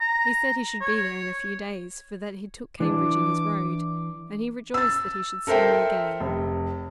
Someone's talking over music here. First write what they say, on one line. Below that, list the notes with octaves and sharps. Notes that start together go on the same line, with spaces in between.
He said he should be there in a few days, for that he took Cambridge in his road; and he rejoiced that he should see me again.
A#5
C#5
E3 D4 D6
E6 A6
A4 A#4 C5 E5 G5
F1